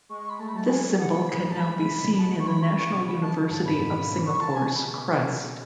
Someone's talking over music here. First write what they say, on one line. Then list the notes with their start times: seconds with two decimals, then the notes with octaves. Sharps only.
This symbol can now be seen in the National University of Singapore's crest.
0.09 G#3 C#6
0.19 C#6
0.29 B5
0.39 A3 A5
0.48 B5
0.54 F#3 A5
0.68 F#3 G#5
0.84 E3
0.98 E3 F#5
1.13 F#3 B5
1.28 G#3
1.50 A5
1.58 B5
2.17 G#3 A5
2.31 F#3
2.39 C#6
2.47 E3 B5
2.62 C#6
2.76 D3 C#6
2.91 B2
3.06 C#3 B5
3.21 A5
3.36 D3
3.50 F#2 A5
3.65 G#2 B5
3.80 B2
3.96 C#3
4.25 C#6
4.40 A5
4.55 B2 G#5
4.65 A5
4.75 B5